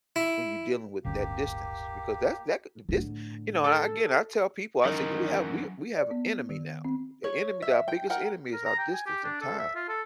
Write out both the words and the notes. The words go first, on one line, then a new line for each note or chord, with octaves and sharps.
when you're dealing with that distance? Because that's that, cou this you know, a again, I tell people, I say, "You have we we have enemy now. The enemy that our biggest enemy is our distance and time."
E4
D1 G1 A#3 C#4 G4
A2 D3
A4
F#2 D#3 E3
D5
B3
D#3
C4
C#5
E5
G5
A#4 F#5 G5
A#4
A#5
G5
G#5
G4
D4
A4
E5
F4
A4